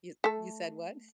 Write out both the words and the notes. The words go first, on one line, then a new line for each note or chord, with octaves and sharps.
You you said what?
A3 A4